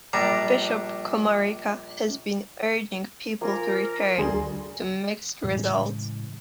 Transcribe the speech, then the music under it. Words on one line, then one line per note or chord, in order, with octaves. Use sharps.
Bishop Komarica has been urging people to return, to mixed results.
A#1 G3 D4 A#5
F3 A#3 A#4 G#5
D2 G3 G#4 C6
A2 C#3 E3 G#3